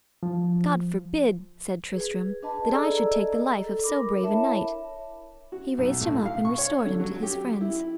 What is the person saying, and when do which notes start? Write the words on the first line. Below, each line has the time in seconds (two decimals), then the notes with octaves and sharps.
"God forbid," said Tristram, "that I should take the life of so brave a knight!" He raised him up and restored him to his friends.
0.23 F3
1.93 G#4 B4
2.43 D4 B4 D#5 A5 B5
2.70 G#4 A4 D5 D#5 A#5 E6
3.64 A4
3.84 D4 A#4 B5 D6
4.23 E4 C#5 E5 A5 B5
5.52 F#4
5.78 B1
6.01 A2
6.26 F5
6.45 C#6
6.58 C#5
6.85 D3
7.00 F#3
7.23 G4
7.61 E4